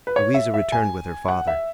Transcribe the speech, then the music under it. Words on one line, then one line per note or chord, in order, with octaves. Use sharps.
Louisa returned with her father.
B4
C#5
E5
E5
G#5
F#5
E5